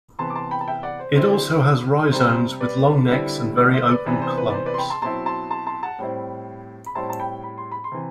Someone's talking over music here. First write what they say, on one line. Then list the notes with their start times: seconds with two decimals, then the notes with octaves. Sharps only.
It also has rhizomes with long necks and very open clumps.
0.19 C3 E3 B3 A5 C6
0.30 D6
0.35 A5 C6
0.51 G5 B5
0.61 A5
0.67 E5 G5
0.83 D5 F#5
0.99 C5
1.16 D3 F#3 C4 E4 C5
1.24 D5
1.33 C5
2.12 C3 G3 C4 C5
2.28 C5
2.61 B4 D5
3.09 D3 G3 C4 E4
3.57 D5 F#5
3.73 C5 E5
3.89 B4 D5
4.05 C3 E3 B3 D4 B4
4.22 C5
4.38 B4
4.50 D5
4.54 C5
4.66 B4 D5
4.74 C6
4.78 G5 B5
4.90 A5 C6
5.02 B2 F#3 C4 E4 A5 C6
5.26 A5 C6
5.50 A5 C6
5.67 A5 C6
5.83 F#5 A5
5.99 A2 G3 C4 E4
6.86 B5
6.95 A2 G3 C4 E4 A5 C6
7.10 A5
7.20 G5 B5
7.44 B5
7.58 C6
7.72 B5
7.84 C6
7.92 C3 E3